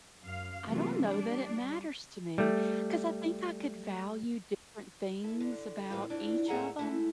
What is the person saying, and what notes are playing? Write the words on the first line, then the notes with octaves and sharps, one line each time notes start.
I don't know that it matters to me, 'cause I think I could value different things about each of 'em,
F#2 F5
C3 E3 F#3 A3 A#3 F4
G3 D4 D5
G3 A3
E4 A4
D3
A2 E3 A#3 C4 D#4 F4
F2 E3 F3 D4
A2 A#3 G#4 E5 F#5 A#5
G#3 A3 E4